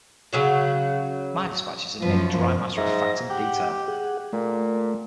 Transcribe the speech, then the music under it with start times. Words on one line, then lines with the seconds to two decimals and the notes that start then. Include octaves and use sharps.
My dispatches are merely dry matter of fact and detail.
0.33 C#3 F#3 F#4
2.02 F#2 F3 B4
2.77 G#2 E5 A#6
3.30 G4 F#5 G5
3.88 G#4 F#5
4.33 A#2 A3